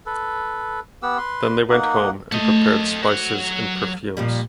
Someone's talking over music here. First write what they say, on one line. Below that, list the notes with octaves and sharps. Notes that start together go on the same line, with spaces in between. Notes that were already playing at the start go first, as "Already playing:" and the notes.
Then they went home and prepared spices and perfumes.
A4 B4
B3 G4 F#5 E6
B4 C6
A#3 D#4 F#5
A3 A4 D#5
F#3 F#5
A#2 F3 G3